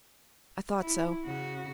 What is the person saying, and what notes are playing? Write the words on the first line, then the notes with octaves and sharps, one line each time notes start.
I thought so.
E4
C#3 F#4